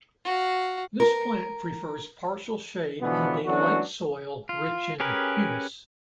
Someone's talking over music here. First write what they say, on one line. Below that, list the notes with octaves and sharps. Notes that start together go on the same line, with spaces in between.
This plant prefers partial shade and a light soil, rich in humus.
F#4 F5
A#4
B2 D3 E3 F3 B3
E3 F#3 B3 C#4 D4 F#4
F4
C#4 G4 G#4 A#4 B4